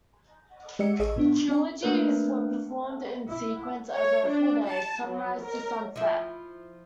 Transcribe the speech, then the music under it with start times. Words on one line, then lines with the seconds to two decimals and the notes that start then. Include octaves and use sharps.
Trilogies were performed in sequence over a full day, sunrise to sunset.
0.79 G#3 G4 D5 D#5 E6 C#7
0.99 A1 G#4 D#5 E6
1.16 A2 B3 D4
1.48 C4 D4 D5 G#5
1.83 A3 A#3 D4 A#4 B4
3.28 E4
3.94 C#5
4.28 D4
4.67 A5
5.04 F#3
5.41 A#4
5.96 F3 E4